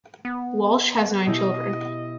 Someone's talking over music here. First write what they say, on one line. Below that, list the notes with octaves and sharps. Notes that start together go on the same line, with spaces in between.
Walsch has nine children.
B3
B2 E4 G4 D#5